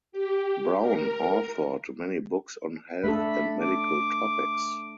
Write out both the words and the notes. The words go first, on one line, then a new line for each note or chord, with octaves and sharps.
Brown authored many books on health and medical topics.
G4
A#4
A3 D4 A4 B5
D6